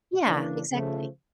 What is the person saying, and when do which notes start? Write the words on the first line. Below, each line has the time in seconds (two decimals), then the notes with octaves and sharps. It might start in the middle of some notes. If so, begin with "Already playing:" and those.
yeah, exactly.
0.25 C#3 E3 A#3 D4
0.70 C#3 F3 A3